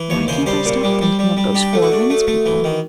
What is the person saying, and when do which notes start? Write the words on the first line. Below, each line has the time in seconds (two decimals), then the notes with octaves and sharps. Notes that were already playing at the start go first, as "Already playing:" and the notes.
Why can't I stop thinking of those Four Winds people?
Already playing: E3
0.10 D#2 C#5
0.28 C#3 C5
0.46 G3 C5
0.65 A#2
0.83 G3
1.01 G3
1.19 G3
1.37 G3
1.55 D4 G4
1.73 A3
1.82 F#4
1.92 D4
2.10 A3
2.27 A3
2.46 E3
2.64 D#3